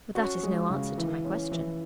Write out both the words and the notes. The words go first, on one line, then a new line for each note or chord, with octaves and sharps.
But that is no answer to my question.
C#4 F#4
G#3
C#3
E3
C#4
E3